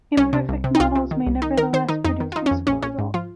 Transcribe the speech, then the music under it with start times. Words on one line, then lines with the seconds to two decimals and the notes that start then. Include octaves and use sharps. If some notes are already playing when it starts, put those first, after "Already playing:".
Imperfect models may nevertheless produce useful results.
0.17 C2 C#4
0.33 C3
0.49 C2
0.64 C3
0.75 D#4
0.80 C2 F4
0.95 C3
1.11 D#3
1.26 C2
1.42 D#3 D#4
1.57 D#3 A#4
1.73 D#3 C5
1.89 D#3 D#4
2.05 F2 D#4
2.20 D#3
2.32 F4
2.36 D#3 D#4
2.46 C#4
2.51 F2
2.67 A#1 C#4
2.82 A#1 C#4
2.99 G#2
3.14 F3 F4